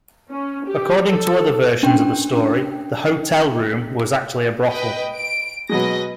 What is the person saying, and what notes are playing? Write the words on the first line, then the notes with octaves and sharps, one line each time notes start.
According to other versions of the story, the "hotel room" was actually a brothel.
C#4
G4
A4
C#4 D4 G5
B4 D#5 G5
D7
B2 F#3 G#3 B4 D#5 A#6